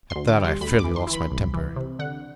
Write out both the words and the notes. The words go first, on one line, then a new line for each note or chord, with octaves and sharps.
At that I fairly lost my temper.
C6
D2
D6
G3
C6
D2 B5
D6
E3
C6
E3
B5
C2
E3
C3
D3 F#5